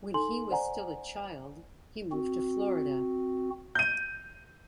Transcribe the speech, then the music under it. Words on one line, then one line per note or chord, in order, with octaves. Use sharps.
When he was still a child, he moved to Florida.
D#4 A4 G#5 C6 F#7
C5 D5 F#5 G#5 A#5
C4 F#4
G6 D#7